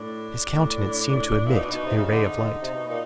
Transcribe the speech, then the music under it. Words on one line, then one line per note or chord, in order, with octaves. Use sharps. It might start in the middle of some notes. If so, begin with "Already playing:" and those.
His countenance seemed to emit a ray of light.
Already playing: A2 D4
A2
A#2 E4
D#4
B2
D4
B2 D#4
C3
C#3 D#4
D3
D3
C3
B2
A#2